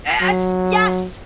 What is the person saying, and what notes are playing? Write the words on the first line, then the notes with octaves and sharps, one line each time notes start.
Yes, yes,
F#3